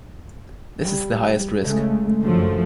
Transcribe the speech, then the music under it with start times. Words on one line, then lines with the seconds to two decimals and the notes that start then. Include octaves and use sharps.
This is the highest risk.
0.81 G3
1.64 C#3 G#3 A3
2.24 F#2 D3 F3 A3